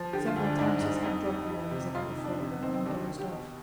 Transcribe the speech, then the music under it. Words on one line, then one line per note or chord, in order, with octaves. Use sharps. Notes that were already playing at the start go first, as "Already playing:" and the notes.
Several times his head dropped low as if it were falling and he dozed off.
Already playing: F3
D3 G4
F4
D2
D4
G#2 D4
G#2
F2 D#4
G3
G3
C3
F2 F4
D#4
F2
D4
C3 C4
B3
D#3 C4
C4
D#2 D4
C4
D#2
G4
B2